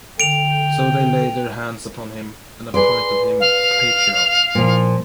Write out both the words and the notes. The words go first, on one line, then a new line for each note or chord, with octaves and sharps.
So they laid their hands upon him, and appointed him patriarch.
D3 G5 D7 F7
G#4 B4 D5 C6
F5
A#2 F3